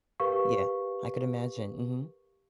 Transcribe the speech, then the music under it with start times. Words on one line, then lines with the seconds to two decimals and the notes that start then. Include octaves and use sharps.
Yeah, I could imagine. Mhm.
0.20 G4 A#4 B4 F5 C#6